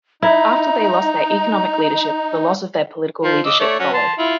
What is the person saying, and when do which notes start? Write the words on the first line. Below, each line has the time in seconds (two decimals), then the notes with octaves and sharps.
After they lost their economic leadership, the loss of their political leadership followed.
0.22 D#4 E4 A#5
3.24 F3 C6
3.46 D#5 D6 E6
3.60 A3 C#5 D5
3.80 F#3 C#4
3.94 A5 C6
4.19 E4 F4